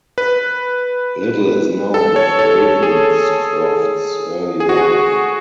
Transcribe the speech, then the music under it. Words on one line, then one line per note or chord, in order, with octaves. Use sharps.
Little is known of Ravenscroft's early life.
B4
A4
C#5
A4
G#4
G#4
F#4
G#4